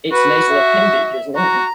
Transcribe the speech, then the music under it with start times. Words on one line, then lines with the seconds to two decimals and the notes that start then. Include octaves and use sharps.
Its nasal appendage is long.
0.12 F#4 B4
0.49 E5
1.36 F#4 A#5